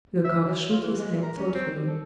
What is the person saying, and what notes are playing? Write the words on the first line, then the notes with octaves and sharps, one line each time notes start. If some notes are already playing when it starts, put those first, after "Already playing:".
Lecoq shook his head thoughtfully.
E5
F#3
F4
E3
G#3
A#2
A#4
C#4
C4
G3
A4